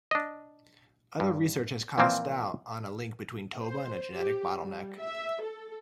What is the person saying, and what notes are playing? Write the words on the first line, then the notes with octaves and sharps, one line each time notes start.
Other research has cast doubt on a link between Toba and a genetic bottleneck.
D4 D#5
G2
A#2 E3 F3 A#3 C4
C5
G4
G3
E5
A4